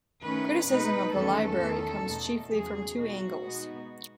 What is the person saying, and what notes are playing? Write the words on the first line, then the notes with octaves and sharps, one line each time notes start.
Criticism of the library comes chiefly from two angles.
D#3 A3 C#4 B4
B2 G#3 D#4 B4
E2 D#3 A3 C#4 A4
E2 D#3 A3 C#4
E2 B2 A3 D#4
E2 C#3 F#3 G#4
B2 A3 D#4 F#4
B2 G#3 B3 D#4